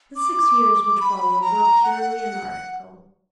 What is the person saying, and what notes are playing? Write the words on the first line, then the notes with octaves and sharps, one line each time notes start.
The six years which followed were purely anarchical.
D6
B5
A#5
F#5